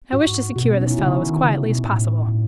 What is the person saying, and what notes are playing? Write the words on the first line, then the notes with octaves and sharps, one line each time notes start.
I wish to secure this fellow as quietly as possible.
G#2 F#4
B2 F#4
B3
C#4
D#4
E4
C#3 F#4
D#3
C#3
B2
A2
A2